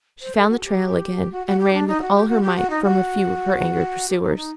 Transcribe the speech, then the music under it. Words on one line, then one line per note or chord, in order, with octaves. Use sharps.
She found the trail again, and ran with all her might from a few of her angry pursuers.
C5
A4
F#4
A4
G4
F#4
F#4
G4
D4
D#4
F#4
G4
F#4
G4
F#4
D#4
F#4
G4
D#4
D#4